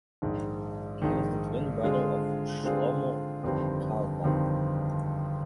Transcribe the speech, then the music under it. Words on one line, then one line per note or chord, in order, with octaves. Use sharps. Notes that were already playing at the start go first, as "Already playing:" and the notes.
He was the twin brother of Shlomo Carlebach.
A#1 G#2 D#3
A#1 G#2 D#3
D3 G#3 C4 F4 G#4
D3 G#3 C4 F4 G#4
G1 F2 D#3 G3 C4
G1 F2 D#3 G3 C4